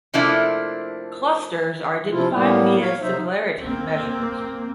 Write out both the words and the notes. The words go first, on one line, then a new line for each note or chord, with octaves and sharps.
Clusters are identified via similarity measures.
C3 F3 A3 A#3 D4 E4
C3 F3 E4 F4
A2 G3 A#3 B3
C#5 F5
C3 F#3 D#4 C5 E5
A#3 C4